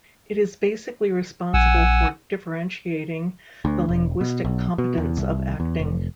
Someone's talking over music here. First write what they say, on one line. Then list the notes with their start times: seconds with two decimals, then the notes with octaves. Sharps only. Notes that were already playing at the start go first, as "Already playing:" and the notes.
It is basically responsible for differentiating the linguistic competence of acting.
1.54 A#1 F#5 G#5 E6
3.65 D2
3.89 E1
4.21 B2
4.45 B1
4.78 B2
4.98 E2
5.17 C2
5.60 E2
5.79 F1